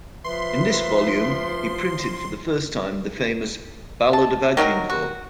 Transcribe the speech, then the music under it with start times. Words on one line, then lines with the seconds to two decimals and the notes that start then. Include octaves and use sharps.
In this volume he printed for the first time the famous "Ballad of Agincourt".
0.24 F3 B4 E5 C6
4.13 A5
4.57 D#3 F#3 E4 A#4
4.90 F#4